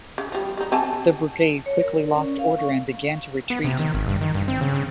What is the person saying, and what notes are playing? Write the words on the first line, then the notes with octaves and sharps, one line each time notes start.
The brigade quickly lost order and began to retreat.
C#3
F3 G3
G3 D#4
C4 G#5 A5
C#5
A#4
D5
C#4
F5
C#6
B3
C3
D#3
G#1
G2
D#3
G2
C4
C#3
C#3